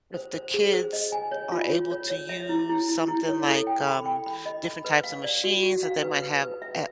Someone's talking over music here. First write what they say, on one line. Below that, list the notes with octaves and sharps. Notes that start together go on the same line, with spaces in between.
if the kids are able to use something, like, um, different types of machines that they might have at
C5
C5
G#4
C5
D#5
G#5
C#5
F4
C#5
C#5
C#5
E5
E4
E4
E4
E4
C#5
A4
G5
B5
G5
B5
D#5
B5
B4
F5
D5
F#4
F#4
F5
B4
B4
B4
E5